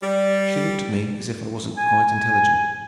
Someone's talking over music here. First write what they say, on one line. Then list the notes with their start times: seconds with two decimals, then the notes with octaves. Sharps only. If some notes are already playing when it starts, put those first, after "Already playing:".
She looked at me as if I wasn't quite intelligent.
0.02 G3
1.77 G#5